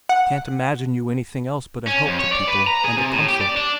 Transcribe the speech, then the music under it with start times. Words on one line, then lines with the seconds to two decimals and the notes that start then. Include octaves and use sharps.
I can't imagine you anything else but a help to people and a comfort.'
0.09 F#5
1.87 C#4
2.07 F2
2.19 C#5
2.32 D5
2.48 B4
2.67 A#5
2.84 G#4
2.97 C3
3.12 A2
3.28 G4
3.41 D5
3.56 D4